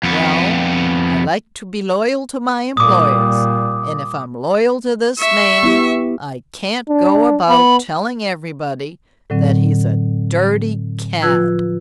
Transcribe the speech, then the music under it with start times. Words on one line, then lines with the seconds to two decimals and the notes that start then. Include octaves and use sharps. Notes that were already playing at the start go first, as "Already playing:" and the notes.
Well, I like to be loyal to my employers, and if I'm loyal to this man I can't go about telling everybody that he's a dirty cad.
0.03 F2 B3
2.77 A#2 G3 D6 D#6
5.19 E5 C#6
5.63 B3 E4 G4
6.89 D4
7.49 B3 B5
9.30 A2 D3 F#3 C4
11.22 F3 F4 B4 E6 F#6 G#6